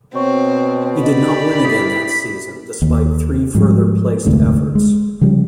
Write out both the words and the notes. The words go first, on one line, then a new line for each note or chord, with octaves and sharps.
He did not win again that season despite three further placed efforts.
B2 C4 C#5 C#6
G4 D5 D#5 B5
E4 D#6 B6
D#2
G#2 F3 G3
F1 D2 G#2 C3
G#3
C#3 F3 G3